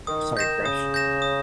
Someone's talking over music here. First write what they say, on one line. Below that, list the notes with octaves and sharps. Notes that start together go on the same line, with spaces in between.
Starting fresh.
D#3 D#6
D#3 G6 A#6 E7
D#3
C#3 D#6
G6 A#6 E7
D#6